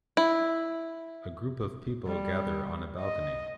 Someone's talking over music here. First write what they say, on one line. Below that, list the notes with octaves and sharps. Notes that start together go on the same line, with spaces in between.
A group of people gather on a balcony.
E4
G3
D#5